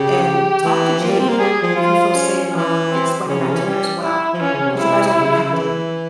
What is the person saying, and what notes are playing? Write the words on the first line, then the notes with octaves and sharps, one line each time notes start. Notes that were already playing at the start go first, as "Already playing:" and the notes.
and talk to Jade, if you feel safe, um, explaining that to her as well, 'cause you guys are connecting.
Already playing: C#3 G4
E3
F3
G3
C4
A#3
G3 G#4
F3
F3 F4
C#4
E3
C4
C#3 C#4
C3
E3
G3
E4
F3
E3 C#4
C#3
C3
E4
C#3
E3